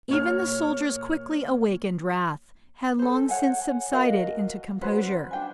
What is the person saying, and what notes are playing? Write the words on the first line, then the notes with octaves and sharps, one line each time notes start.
Even the soldier's quickly awakened wrath had long since subsided into composure.
A#2 C#5 F6
A4 C5
C#5 F#5 G#5
F#4 A#4 D#5 F5
C#4 F#4 B4 C5
D4 G5 G#5